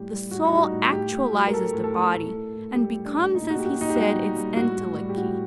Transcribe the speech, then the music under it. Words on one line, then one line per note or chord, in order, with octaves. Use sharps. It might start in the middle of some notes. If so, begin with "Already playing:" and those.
The soul actualises the body, and becomes, as he said, its entelechy.
Already playing: A2 G3 G4
G3
A2 F#4
D#4
G3
F#4
A2
A2 G4
A2
F#3
A#4
F#3 A4
A2
A4
A2
A2 A4
A2
A2
G3 G4
A2
D4
A2
A#2 D#4
F#4
A#2 G4
F#4
A#2
D#4
G4
G3 F#4
A#2
G3
A2 F#4
A2
G3
G4
A2 F#4